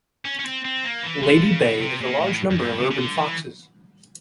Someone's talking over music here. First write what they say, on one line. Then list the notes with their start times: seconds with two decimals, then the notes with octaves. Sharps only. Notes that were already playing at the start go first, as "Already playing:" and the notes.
Lady Bay has a large number of urban foxes.
0.25 C#4
0.39 C#4
0.45 C4
0.64 C4
0.84 A#3
1.03 E3
1.23 D3
1.43 C#3
1.61 B2
1.82 C3
2.01 A#2
2.20 A2
2.51 F#2
2.58 G2
2.78 C#3
2.91 C#3
2.98 D3
3.17 E3